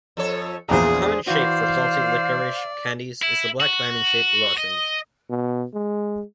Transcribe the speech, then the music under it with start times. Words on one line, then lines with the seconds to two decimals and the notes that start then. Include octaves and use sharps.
A common shape for salty liquorice candies is a black diamond-shaped lozenge.
0.17 F2 A4 C#5
0.69 A#1 E2 D4 G#4 C5 A#5
1.27 E3 F#4 C5 D5 F5
3.22 E4
3.60 F#4
4.58 D#5
5.30 B2
5.74 G#3